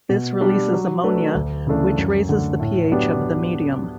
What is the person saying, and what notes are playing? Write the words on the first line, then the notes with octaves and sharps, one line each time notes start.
This releases ammonia, which raises the pH of the medium.
B2
G3 D4 G4 D5
F#3
A3 D4 F#4 B4
D2
C#3 E3 A3 D4
F#2
D3 A3
A2
F#3 B3 D4 G4